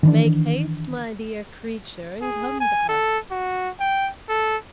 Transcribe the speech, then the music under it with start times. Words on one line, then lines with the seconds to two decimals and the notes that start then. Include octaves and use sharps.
Make haste, my dear creature, and come to us.
0.03 D#3 E3 D4
2.22 G#4
2.60 G#5
2.89 A4
3.31 F#4
3.80 G5
4.29 A4